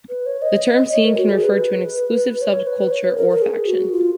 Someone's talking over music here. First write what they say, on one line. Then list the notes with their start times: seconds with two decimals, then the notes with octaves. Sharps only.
The term "scene" can refer to an exclusive subculture or faction.
0.09 B4
0.26 C#5
0.42 D#5
0.92 C#5
1.05 A#4
1.17 F#4
1.30 G#4
1.43 B4
2.42 C#5
2.67 B4
2.91 C#5
3.05 B4
3.17 A#4
3.30 A#4
3.42 G#4
3.67 F#4
3.92 F4